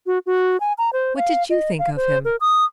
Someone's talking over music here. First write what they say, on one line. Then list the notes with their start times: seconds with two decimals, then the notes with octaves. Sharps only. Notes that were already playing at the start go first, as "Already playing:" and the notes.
What did you think of him?'
0.06 F#4
0.26 F#4
0.60 G#5
0.78 A#5
0.93 C5
1.17 F5
1.50 D#5
1.79 F5
1.96 C5
2.25 A#4
2.41 D#6